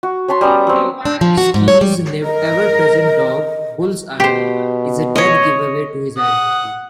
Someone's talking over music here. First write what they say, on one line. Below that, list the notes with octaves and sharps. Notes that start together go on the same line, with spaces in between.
Sikes's ever-present dog, Bullseye, is a dead giveaway to his identity.
F#4
C#5 A5 B5 C6
G3 B3 C#4 A#5
F#3 C4
D4
F3
F#4
G#2
C#5
G3
A#4 D#5
B2 G4 C5
C#5 D#5
F#5 D#6